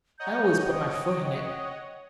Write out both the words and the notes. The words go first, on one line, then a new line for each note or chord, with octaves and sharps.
I always put my foot in it.
C#5 D#5 F#5 A#5 G6
G5 D#6